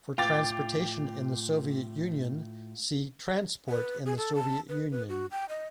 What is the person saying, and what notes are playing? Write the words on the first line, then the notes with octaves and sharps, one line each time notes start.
For transportation in the Soviet Union, see Transport in the Soviet Union.
A2 F4 G5 D6 A6
B4
G#4
A4
A5
B4
B4
F#4
G5
D#5